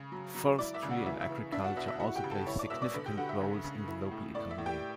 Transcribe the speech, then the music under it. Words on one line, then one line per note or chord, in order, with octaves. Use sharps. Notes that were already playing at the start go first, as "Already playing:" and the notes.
Forestry and agriculture also play significant roles in the local economy.
Already playing: C#3
F#3
F#3
E4 D5 D6
E5 E6
C#3
F#4 F#5
E3 E5
E5
E3
D4 E5
F#4 F#5
B2 E5
E5
E4 F#4 F#5
G4 G5
C#3
A4 A5
E4 C#5 C#6
D5 D6
B2 E5 E6
D5 D6
D3 B4 B5
G4 G5
D3 F#4 F#5
E5
C#3
C#3
E4
A2
A2 D5
E5
A2
G4 G5